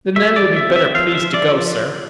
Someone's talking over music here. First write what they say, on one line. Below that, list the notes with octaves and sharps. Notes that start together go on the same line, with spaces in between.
"Then Nanny would be better pleased to go, sir."
A3 E5
D5
F3
E5
C4
E5
F3 F5
E5
F3
D5
F3